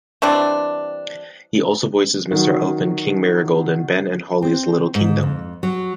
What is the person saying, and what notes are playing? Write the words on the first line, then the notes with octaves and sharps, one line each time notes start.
He also voices Mr. Elf and King Marigold in "Ben and Holly's Little Kingdom".
E3 G3 C4 D4
D#3 F#3
C4
G#2
F2
F#3